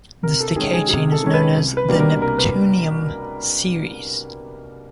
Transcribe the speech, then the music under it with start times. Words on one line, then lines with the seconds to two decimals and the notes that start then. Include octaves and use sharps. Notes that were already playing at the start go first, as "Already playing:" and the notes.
This decay chain is known as the neptunium series.
0.23 C3 A#4
0.41 A4
0.56 D#3 G#3 C#4 G#4
0.74 G#4
0.89 C3 G#4
1.12 A4
1.23 D#3 G#3 C#4
1.34 B4
1.55 C2
1.77 B4
1.88 B2 G3 A#3 D4
2.00 A#4
2.21 C2 A#4
2.38 B4